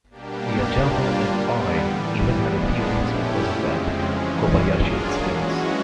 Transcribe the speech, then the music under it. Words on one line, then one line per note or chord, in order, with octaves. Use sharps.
"Yazawa and I even had a few rows because of that," Kobayashi explains.
B2 G3 A#3 D4 G4
G3 A#3 D4 F4
D3 G3 B3
A2 E3 G3
A#2 F3 G#3 B3 D4
A3 C#4 E4 G4
F2 C#3 F3 G#3 C4
G2 E3 G#3 C#4
F#3 A#3 D4 F4 G#4
E3 G#3 C#4 F#4